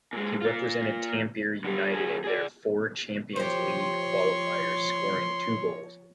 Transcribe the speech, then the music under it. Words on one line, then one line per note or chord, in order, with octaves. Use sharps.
He represented Tampere United in their four Champions League Qualifiers scoring two goals.
A#2 G#3
A#3 F4
D3 G3
D2 G#4
G#4 D5
F3 G4 C5 C#5 C6